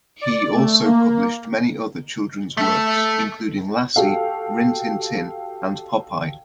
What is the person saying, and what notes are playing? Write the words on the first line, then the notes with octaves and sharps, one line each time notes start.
He also published many other children's works, including Lassie, Rin Tin Tin, and Popeye.
D5
A3
A#3
A3 A4
F#4 G4 A4 F5